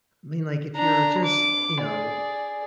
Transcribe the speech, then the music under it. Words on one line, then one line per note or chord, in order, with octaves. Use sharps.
I mean, like, if you're just, you know,
D4 A#5
D6
G#4 D5